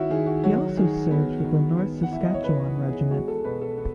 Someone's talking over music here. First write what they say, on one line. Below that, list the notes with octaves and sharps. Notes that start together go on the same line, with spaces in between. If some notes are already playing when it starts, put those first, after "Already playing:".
He also served with the North Saskatchewan Regiment.
Already playing: D#3 C#4 E4 F#4 E5
D#3 G#4
F#4
F#3 F#4
D#3 G#4
B3
D#3
B3
F#5
E3 E5
D#5
C#5
E3 B4
B3
G#4
G#3 F#4
A4
B2 B4
A4
B3